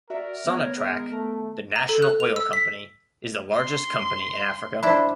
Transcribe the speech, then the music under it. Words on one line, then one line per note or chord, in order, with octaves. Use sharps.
Sonatrach, the national oil company, is the largest company in Africa.
F#4 A#4 D5 E5
D#3 B3 C#5
G#3
A3
A#5
A4
F#6
F7
E6
B6
C6
D4 E4 C5 D5 B5